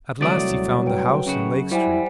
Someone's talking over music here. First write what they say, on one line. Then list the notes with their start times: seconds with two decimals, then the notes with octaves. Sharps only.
At last he found the house in Lake Street.
0.21 C2 D3 F#3 A3 D5 D6 D#6 A6
0.50 D2
0.86 E1 B4 G5 D7
1.26 F#2 C#3 F#4
1.72 F#3 G3 E4 C5 F#5 G#5